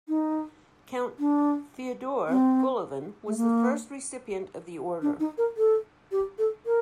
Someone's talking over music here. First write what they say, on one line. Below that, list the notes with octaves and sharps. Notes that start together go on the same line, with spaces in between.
Count Fyodor Golovin was the first recipient of the order.
D#4
D4
C4
A3
A#3
D4
D#4
A#4
A4
G4
A4
A#4